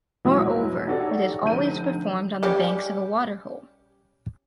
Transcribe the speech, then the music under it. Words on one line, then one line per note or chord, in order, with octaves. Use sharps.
Moreover, it is always performed on the banks of a water-hole.
E2 B2 F#3 G#3 C#4 E4
D#4 F#4 G4 A4 C#5 D5
F1 D3 D#4 G6 D#7
G3 C#4 G4